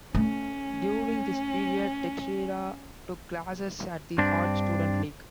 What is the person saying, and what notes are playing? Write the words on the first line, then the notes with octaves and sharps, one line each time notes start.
During this period, Texeira took classes at the Art Students League.
A3 C#4
G2 C4 D4